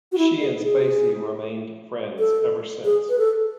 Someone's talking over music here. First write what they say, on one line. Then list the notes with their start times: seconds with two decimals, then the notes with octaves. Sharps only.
She and Spacey remained friends ever since.
0.12 F#4
0.18 E4
0.41 G#4
0.63 G#4
2.19 A4
2.85 G#4
3.09 B4
3.19 A4